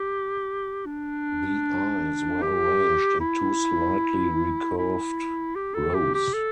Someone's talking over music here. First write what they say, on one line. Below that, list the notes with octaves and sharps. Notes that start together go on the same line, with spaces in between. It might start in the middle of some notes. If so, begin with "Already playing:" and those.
The eyes were arranged in two slightly recurved rows.
Already playing: G4
D4
G4
E4
E4
G4
A4
G4
G4
A4